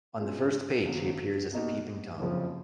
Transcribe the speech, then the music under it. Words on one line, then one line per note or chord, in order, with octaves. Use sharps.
On the first page he appears as a peeping-tom.
B2 G#3 C#4 F4 G#4
G#1 F#2 C#3 F#3 B3
B2 A#3 D#4 F#4
F#1 F2 C#3 F3